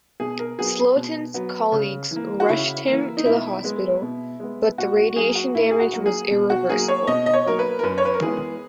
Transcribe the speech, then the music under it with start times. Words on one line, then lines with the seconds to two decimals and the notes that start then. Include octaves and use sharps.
Slotin's colleagues rushed him to the hospital, but the radiation damage was irreversible.
0.20 B2 G#4
0.39 A#4
0.59 F#3 B3 G#4
0.96 B2
1.34 F#3 B3
1.72 C#3
2.11 E3 A#3
2.40 F#4
2.49 C#3 E4
2.87 E3 A#3
3.17 D#4
3.26 B2 E4
3.64 G#3 B3
4.02 B2
4.40 G#3 B3
4.78 A#2 F#4
4.97 F#4
5.16 F#3 A#3 G#4
5.35 F#4
5.55 A#2 E4
5.71 G#4
5.80 F#4
5.93 F#3 A#3
6.06 G#4
6.31 B2
6.50 F#4
6.69 F#3 A#3 G#4
6.88 C#5
7.07 B2 D#5
7.26 D#5
7.34 C#5
7.46 F#3 A#3 A#4
7.59 B4
7.79 A#4
7.83 F#2 B4
7.98 C#5
8.05 B4
8.14 A#4
8.22 E3 G#3 B3 G#4